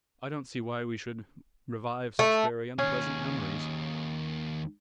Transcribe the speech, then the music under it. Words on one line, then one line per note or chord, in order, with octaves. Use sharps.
I don't see why we should revive such very unpleasant memories.
A3
D#2 C#4 G#4